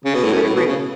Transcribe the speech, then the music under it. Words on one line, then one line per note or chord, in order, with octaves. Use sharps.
keeping it real.
C#3
B2
A2
F#2
A2
B2
C#3